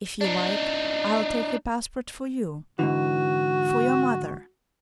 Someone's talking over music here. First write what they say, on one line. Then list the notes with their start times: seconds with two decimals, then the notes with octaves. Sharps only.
If you like, I'll take a passport for you... for your mother....
0.21 D4 D#4
2.79 G#2 D3 E3 F#4